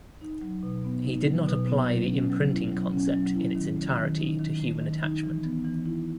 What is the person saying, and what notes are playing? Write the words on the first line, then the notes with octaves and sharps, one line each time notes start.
He did not apply the imprinting concept in its entirety to human attachment.
D#4
F#3
B2
B3
D#4
F#3
B2
B3
F#3
C#4
F#3
E4
F#3
C#4
F#3
E4
D#3
A3
D#3
D#4
D#3
A3
D#3
D#4
E3
B3
E3
E4